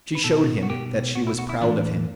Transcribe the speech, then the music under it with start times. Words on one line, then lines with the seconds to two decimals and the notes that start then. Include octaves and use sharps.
She showed him that she was proud of him.
0.15 B4
0.24 B2 A4
0.63 F#4
0.70 B2 G4
1.15 B2 F#4
1.27 E4
1.39 F#4
1.50 E4
1.61 A2 E3 D4